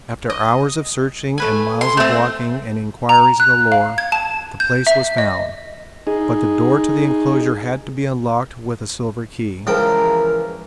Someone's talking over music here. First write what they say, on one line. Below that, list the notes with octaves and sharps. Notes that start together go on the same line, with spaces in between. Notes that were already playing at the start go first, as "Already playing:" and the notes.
After hours of searching and miles of walking and inquiries galore, the place was found, but the door to the enclosure had to be unlocked with a silver key.
D#5
A3 B4 G#5
C6
A3 C4
A#5
F#6
F5
G#6
A5
G6
E5
D#5
D#4 G#4
C#2 E3 F3 A#4 G5